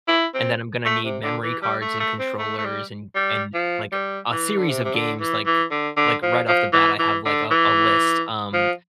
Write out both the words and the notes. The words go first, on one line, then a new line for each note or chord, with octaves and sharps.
and then I'm gonna need memory cards and controllers and and, like, a series of games, like like, right off the bat, I have, like, a a list, um,
E4
C4
A3
C3
D3
E3
G3
A3
A3
C4
A3
A3
G3
G3
F3
G3
E3
D3
C3
C3
D3
E3
E3
D3
D3
F3
F3
E3
E3
D3
E3
F3